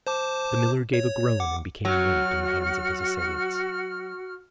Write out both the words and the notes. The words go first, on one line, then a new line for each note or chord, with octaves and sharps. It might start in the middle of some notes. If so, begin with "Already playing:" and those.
The miller gave a groan and became limp in the hands of his assailants.
C5 A5 D6
C#5
F#5 D6
F#3 F#4 F6